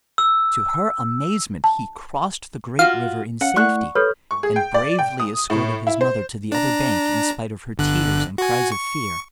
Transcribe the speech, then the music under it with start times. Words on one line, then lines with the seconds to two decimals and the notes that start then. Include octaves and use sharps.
To her amazement he crossed the great river in safety and bravely escorted his mother to the other bank in spite of her tears and cries of fear.
0.18 E6
1.64 A5
2.79 F4 F#4 F5
3.41 C#4 F5 F#5
3.56 A3 E4 D5 F#5 C#6 F#6
3.95 G4 A4 B4 C#5 F6
4.31 C#6
4.43 G#4
4.56 G5
4.74 D5
4.99 G5
5.20 D#6
5.50 A2
5.87 E4
6.01 C5
6.52 D4 A#5
7.78 G1 D3 F#6
8.38 F#4 G#5
8.72 C#6